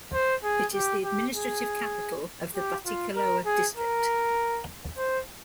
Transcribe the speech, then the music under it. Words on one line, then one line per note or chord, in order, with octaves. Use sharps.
It is the administrative capital of the Batticaloa District.
C5
G#4
G4
G4
G#4
G4
F4
A#4
G#4
A#4
C5